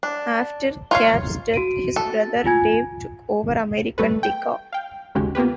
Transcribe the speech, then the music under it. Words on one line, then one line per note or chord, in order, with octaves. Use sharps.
After Kapp's death, his brother Dave took over American Decca.
D4
F4 C#5 F5
F#4 D7 D#7
A4
F4 G#5 G#6
G3 A3 A4 B4
G5
F5 G5
G#1 D#2 C#3 G#3 F#4 G4
A#3 B3 F4 G4 B4